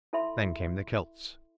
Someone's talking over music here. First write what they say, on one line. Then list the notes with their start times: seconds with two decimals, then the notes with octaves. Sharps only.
Then came the Celts.
0.13 E4 A4 E5 B5 C6